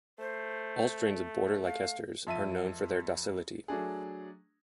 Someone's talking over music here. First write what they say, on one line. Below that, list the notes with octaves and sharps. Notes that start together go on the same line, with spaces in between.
All strains of Border Leicesters are known for their docility.
A3 C5
F5
F2 E5 A5 D#7
F#3 A3 D4 G#4